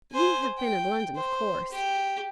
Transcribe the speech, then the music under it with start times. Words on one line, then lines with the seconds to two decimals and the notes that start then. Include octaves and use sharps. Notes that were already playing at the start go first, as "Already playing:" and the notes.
You have been in London, of course.'
0.12 C5 G#5
0.57 G5
1.16 C5
1.72 G4